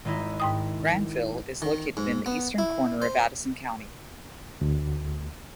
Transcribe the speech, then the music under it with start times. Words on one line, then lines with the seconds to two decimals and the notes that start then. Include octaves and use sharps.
Granville is located in the eastern corner of Addison County.
0.05 G#1 D#4 E4
0.40 G#2 G5 D#6
1.62 D#3
1.97 G#2
2.26 B3
2.58 E4
3.02 C5
4.61 D2